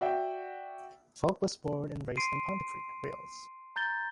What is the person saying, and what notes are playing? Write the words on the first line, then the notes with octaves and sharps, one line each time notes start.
Volk was born and raised in Pontypridd, Wales.
F#4 D5 E5 G5
C6 C7 D7 D#7
A#5 G6 A6 G7